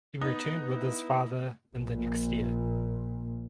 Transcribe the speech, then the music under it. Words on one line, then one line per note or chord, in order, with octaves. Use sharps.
He returned with his father in the next year.
B3 D#4 B4
E4
A#1 A#2